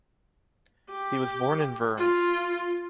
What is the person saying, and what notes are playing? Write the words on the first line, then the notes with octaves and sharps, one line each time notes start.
He was born in Worms.
G4
F4